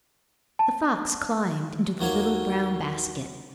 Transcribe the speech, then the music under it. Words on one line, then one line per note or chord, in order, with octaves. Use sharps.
The fox climbed into the little brown basket.
A5
D#2 F#3 A#3 C#5